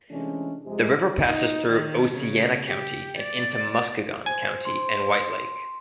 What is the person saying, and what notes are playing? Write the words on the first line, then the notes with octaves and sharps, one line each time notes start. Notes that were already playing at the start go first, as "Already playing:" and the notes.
The river passes through Oceana County and into Muskegon County and White Lake.
C3 E3 G#3 A3 C#4 D4
F2 C3 G#3
D#4
D#3
C#3
G4
D5
C5 G#5
C6